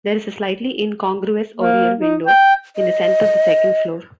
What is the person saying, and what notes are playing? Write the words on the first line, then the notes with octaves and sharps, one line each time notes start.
There is a slightly incongruous oriel window in the centre of the second floor.
A#3
D#4
G5
D#5